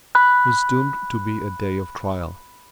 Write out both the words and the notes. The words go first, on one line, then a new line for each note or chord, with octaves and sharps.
It was doomed to be a day of trial.
B5 F#6